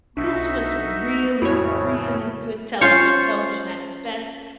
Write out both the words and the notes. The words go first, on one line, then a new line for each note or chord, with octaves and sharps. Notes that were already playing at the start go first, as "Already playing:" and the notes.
this was really, really good television television at its best,
B1 D4 D#4 F#4 E5
F2 A2 C#3 E4 F#4 C#5
C#4 F4 C5 C#5